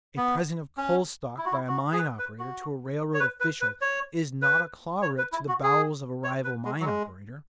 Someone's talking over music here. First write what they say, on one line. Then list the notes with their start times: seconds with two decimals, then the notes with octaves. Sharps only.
A present of coal stock by a mine operator to a railroad official is not a claw rip to the bowels of a rival mine operator.
0.17 B3
0.77 C#4
1.38 E4
1.45 F#4
1.52 E4
1.68 F#4
1.93 G#4
1.99 B4
2.19 B4
2.39 F#4
3.14 C#5
3.20 B4
3.40 B4
3.61 B4
3.81 C#5
4.42 B4
5.02 C#5
5.18 B4
5.32 E4
5.48 F#4
5.63 G#4
6.24 C#5
6.44 B4
6.65 G#3
6.80 F#3
6.85 G#3